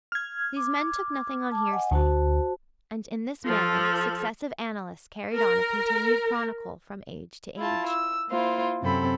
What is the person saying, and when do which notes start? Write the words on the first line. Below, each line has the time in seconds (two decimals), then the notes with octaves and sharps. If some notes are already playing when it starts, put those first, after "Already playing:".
These men took nothing on hearsay: and in this manner successive annalists carried on a continued chronicle from age to age.
0.12 F6 G#6
0.56 D6
1.52 A5 D6
1.71 D#5 F#5 G#5
1.91 D2 F#4 C5 A5
3.45 F3 A4
5.35 A#4
7.57 E4 F4 A5
7.86 E6
8.30 A#3 E4 F4 C5
8.82 F#2 C3 C4 A4 B5